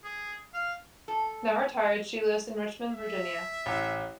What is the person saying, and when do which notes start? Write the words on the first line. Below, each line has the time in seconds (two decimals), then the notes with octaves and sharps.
Now retired, she lives in Richmond, Virginia.
0.04 G#4
0.54 F5
1.08 A4
2.92 E5
3.66 A1